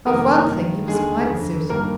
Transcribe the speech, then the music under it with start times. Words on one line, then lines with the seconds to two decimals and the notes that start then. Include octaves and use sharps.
Of one thing he was quite certain.
0.06 F2 C3 D#3 A#3 A#4
0.47 G2 D#3
0.88 D#2 D3 G#3 G#4
1.29 F2 D3
1.70 G2 D#3 A#3 A#4